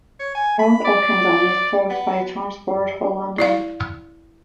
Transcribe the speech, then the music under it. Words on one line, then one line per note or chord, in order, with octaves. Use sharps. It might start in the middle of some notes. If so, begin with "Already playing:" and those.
South Ockendon is served by Transport for London.
C#5
G#5
B5
D5
B3
E4 D5 F5